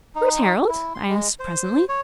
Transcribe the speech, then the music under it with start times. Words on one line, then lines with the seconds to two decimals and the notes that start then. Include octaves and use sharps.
"Where's Harold;" I asked presently.
0.15 D#4
0.69 E4
0.95 C6
1.08 G#3
1.39 C5
1.88 C#5